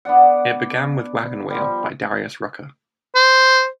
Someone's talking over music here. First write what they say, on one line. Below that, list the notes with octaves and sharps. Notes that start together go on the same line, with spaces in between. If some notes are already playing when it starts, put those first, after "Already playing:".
It began with "Wagon Wheel" by Darius Rucker.
B3 D4 D5 F#5
F3 G3
C5